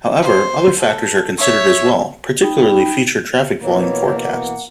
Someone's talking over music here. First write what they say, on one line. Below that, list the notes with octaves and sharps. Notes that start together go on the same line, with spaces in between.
However, other factors are considered as well, particularly future traffic volume forecasts.
C5
A4
C#5 E5
D#4 G5 B5
B2 E3 A#3 C#5
F#5